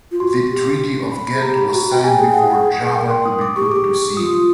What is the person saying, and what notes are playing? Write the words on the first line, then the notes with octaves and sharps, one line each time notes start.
The Treaty of Ghent was signed before "Java" could be put to sea.
F4
F#4 C6
G4
B5
B5
G#4
G4 A#5
B5
F#4 A#5
G5
G4 G#5
G#4 G5
F#5
A#4 G5
C6
D#6
D6
G4 C#6
G#4
G4 D6
F4 D#6